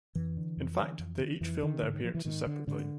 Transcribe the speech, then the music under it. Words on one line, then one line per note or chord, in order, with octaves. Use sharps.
In fact, they each filmed their appearances separately.
F2 E3
D3
F2
D3
F2
D3
F2 E3
D3 D#3
G#2 D3
D#3
F3
E3
G#2 D#3
D3
G#2 D3